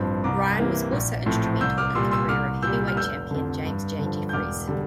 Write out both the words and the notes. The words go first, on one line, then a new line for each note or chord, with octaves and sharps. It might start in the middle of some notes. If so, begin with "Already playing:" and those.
Ryan was also instrumental in the career of heavyweight champion James J. Jeffries.
Already playing: A1 G2 F3 C4
C2 A#5 D6
C3 E3 A#3
A#1
A2 F3 C4
C2 E6 G6
D6 F6
A#2 G3 C6 E6
C6 E6
C2 D6 F6
A#2 G3 E6 G6
F6
F1 E6 G6
F2 D3
G2
D3 F3
G6
E1 D6 F6
D3 G3